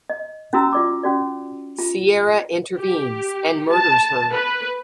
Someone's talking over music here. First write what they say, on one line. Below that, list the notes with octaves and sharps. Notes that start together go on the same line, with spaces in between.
Sierra intervenes and murders her.
D#5
C#4 E4 F#4 A#5 E6
F4 D5 D6
C#4 F#4 D5
F4
G4
A5
B4